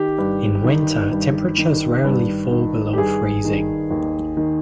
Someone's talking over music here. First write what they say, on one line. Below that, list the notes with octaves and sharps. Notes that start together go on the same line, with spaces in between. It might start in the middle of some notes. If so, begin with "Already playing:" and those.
In winter, temperatures rarely fall below freezing.
Already playing: D#3 G4
G2
D#3
G2
D#3
G2
D#3
G4
G2 G#4
D#3
D#2
D#3